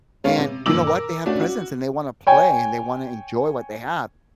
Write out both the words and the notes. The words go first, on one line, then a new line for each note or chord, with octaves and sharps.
and you know what, they have presents, and they wanna play, and they wanna enjoy what they have.
G#3 B3 C#4 C#5 F5
C3
F#2 A#2 D#3 D6 E6 F#7
A#4
A3 C#4 D4 F#4
F#4
C#5 G5 G#5